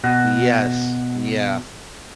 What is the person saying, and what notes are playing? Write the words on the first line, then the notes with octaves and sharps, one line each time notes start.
Yes. Yeah.
B2 F#4